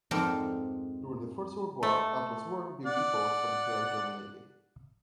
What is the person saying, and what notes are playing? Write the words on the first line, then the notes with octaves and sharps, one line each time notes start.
During the First World War, Atlas Werke built U-boats for the Imperial German Navy.
F2 G#2 C4 A4 A#4 D5
A3
D5 F#5